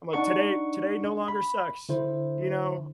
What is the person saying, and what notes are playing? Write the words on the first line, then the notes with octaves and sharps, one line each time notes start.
I'm like, "Today today no longer sucks," you know?
D4 D#4 F#5 C#6
B5
D3 E4 C5